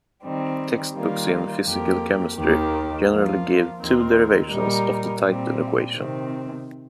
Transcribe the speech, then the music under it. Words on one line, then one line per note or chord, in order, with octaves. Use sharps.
Textbooks in physical chemistry generally give two derivations of the title equation.
D#3 G3 C4
D#3 G3 A#3 F4
F2 F3 A#3 G4 A#4
D#2 D#3 A#3 G4
F3 A#3 F4
D#2 D#3 C4 F4 A#4
A#2 G3 D#4 A#4
A#2 G3 C4
C3 D#3 C4